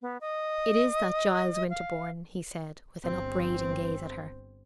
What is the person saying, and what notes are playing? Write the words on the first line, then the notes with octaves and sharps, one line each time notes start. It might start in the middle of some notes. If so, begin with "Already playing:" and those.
"It is that Giles Winterborne!" he said, with an upbraiding gaze at her.
B3
D#5
F5
G1 C4